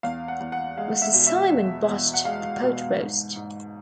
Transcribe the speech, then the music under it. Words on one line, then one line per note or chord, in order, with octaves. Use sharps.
Mr. Simon botched the pot roast.
E2 F5
F#5
E2
F#5
G#3 F5
E5
B2
E5
E2
E2
F#5
G#3 F5
B2
G#2
G#2